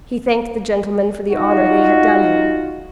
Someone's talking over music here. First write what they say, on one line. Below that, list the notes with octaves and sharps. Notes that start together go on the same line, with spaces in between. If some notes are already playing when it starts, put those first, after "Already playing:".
He thanked the gentlemen for the honor they had done him.
D#4 F4 F#4